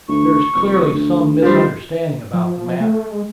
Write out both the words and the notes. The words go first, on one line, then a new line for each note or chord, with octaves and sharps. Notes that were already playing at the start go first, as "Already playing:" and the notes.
"There is clearly some misunderstanding about the matter."
D2 C#6
F1
D2
F3 G3 C5
F3
A3
G#3